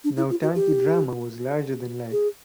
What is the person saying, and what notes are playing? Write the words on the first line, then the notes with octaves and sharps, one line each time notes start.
Nautanki drama was larger than life.
D4
E4
F4
F#4
G4
G#4